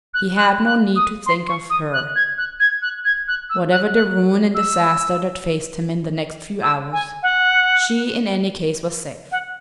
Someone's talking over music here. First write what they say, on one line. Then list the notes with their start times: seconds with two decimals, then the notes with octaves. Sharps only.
He had no need to think of her. Whatever the ruin and disaster that faced him in the next few hours, she in any case was safe.
0.14 F#6
0.36 F#6
0.65 F#6
0.95 D#6
1.26 C6
1.48 C#6
1.70 D#6
1.93 F#6
2.15 G#6
2.37 F#6
2.59 G#6
2.82 F#6
3.05 G#6
3.27 F#6
3.49 E6
3.72 F#6
3.94 F#6
4.54 E6
6.63 E6
6.92 G#5
7.22 F#5
9.31 F#5